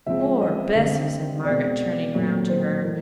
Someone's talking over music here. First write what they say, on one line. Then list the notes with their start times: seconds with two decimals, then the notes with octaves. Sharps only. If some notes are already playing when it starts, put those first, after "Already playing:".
'Poor Bessy!' said Margaret, turning round to her.
0.06 C#3 F3 G#3 C4 E5
0.41 D#5
0.75 D3 G3 C4
1.45 B2 G#3 C4 D5
2.14 A#2 F#3 A3 C4 C#5
2.48 C5
2.83 E3 A3 A#4